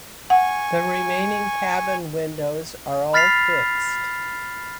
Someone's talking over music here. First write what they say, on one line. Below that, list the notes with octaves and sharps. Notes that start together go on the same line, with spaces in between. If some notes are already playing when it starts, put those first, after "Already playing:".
The remaining cabin windows are all fixed.
F#5 G#5 C#6
B5 F6 A6 B6 C7 F7